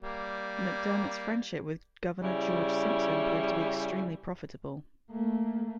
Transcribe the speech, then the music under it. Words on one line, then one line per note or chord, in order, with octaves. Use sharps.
McDermot's friendship with Governor George Simpson proved to be extremely profitable.
G3 A#3
C#3 G3 E4
A3 A#3